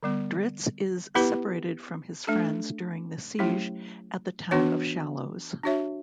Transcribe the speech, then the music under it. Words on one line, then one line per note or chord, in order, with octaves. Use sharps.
Drizzt is separated from his friends during the siege at the town of Shallows.
D3 G3 B3
B3 E4 G4 B4
A3 D4 A4
F#3 A3 C#4 E4 G4
E3 B3 D4 F#4 C#5
D4 F#4 C#5 E5